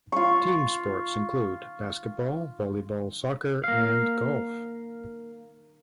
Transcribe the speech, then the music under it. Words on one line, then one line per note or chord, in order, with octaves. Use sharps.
Team sports include: basketball, volleyball, soccer, and golf.
F4 C#6
A#3 F5